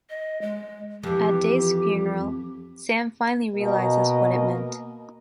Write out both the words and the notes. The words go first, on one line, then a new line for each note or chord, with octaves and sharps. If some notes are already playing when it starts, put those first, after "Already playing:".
At Dave's funeral, Sam finally realizes what it meant.
D#5
G#3
F2 E3 G4
B2 A#3 A#4 D#5